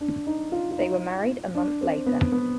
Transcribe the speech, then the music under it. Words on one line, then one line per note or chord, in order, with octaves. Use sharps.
They were married a month later.
D4
D#4
F4
F4
D#4
D4
C4
B3
B3